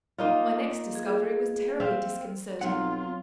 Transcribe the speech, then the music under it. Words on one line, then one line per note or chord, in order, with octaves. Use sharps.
My next discovery was terribly disconcerting.
A#3 D#4 F4
G#4
C4 E5 F5
B1 F#3 C4 F4 F#5